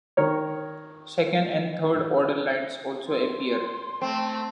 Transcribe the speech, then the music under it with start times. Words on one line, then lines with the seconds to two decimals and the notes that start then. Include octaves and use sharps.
Second and third order lines also appear.
0.17 D#3 A#4 C#5
3.07 C6
4.02 A3 C4